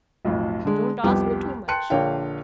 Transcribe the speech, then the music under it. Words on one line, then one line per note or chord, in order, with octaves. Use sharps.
'Don't ask me too much.
B1 F2 A2
D3 G#3
C2 F2 B3 G4 G5
G5 A5 C6 F#6 C#7
A#1 D3 A#4 C#5 F5 G5